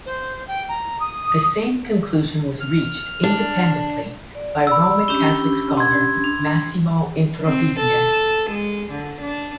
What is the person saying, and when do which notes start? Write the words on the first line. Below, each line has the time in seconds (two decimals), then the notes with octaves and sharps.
The same conclusion was reached independently by Roman Catholic scholar Massimo Introvigne.
0.06 C5
0.48 G5
0.69 A#5
1.00 D#6
2.60 F6
3.23 D4
4.35 D5
4.67 D5 B5 E6
5.08 C#4 D4 G4 G7
5.77 C6 G#6
6.24 D4
7.45 C4
7.79 A4
8.51 G#3
8.91 D3
9.21 D4